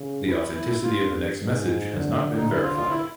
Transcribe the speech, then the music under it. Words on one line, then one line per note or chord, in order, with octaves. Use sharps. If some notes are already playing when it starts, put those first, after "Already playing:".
The authenticity of the text message has not been verified.
Already playing: C#3
E4
E4
G2 F4
G#2
D3
D#4
E4
F4
F4
E4